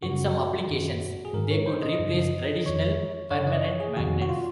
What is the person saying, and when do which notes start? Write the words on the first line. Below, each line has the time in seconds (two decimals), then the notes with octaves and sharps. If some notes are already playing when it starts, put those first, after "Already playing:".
In some applications they could replace traditional permanent magnets.
0.03 F#2 C#3 F#4
0.68 F#2 D#3
1.25 G#4
1.33 G#2 D#3 A#4
1.51 C#5
1.67 C5
1.83 D#5
1.99 F#2 C#3
2.65 F2 D#3 C#5
3.31 F#2 C#3 C#5
3.47 D#5
3.64 C#5
3.80 G#4
3.97 F2 C3 D#3 F#4
4.22 F#4
4.29 F4